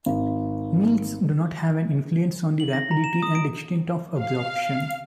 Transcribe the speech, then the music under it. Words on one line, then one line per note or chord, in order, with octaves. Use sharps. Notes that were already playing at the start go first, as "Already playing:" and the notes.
Meals do not have an influence on the rapidity and extent of absorption.
G#1
F#7
A#6
A#5
E7
D#6
D7
F5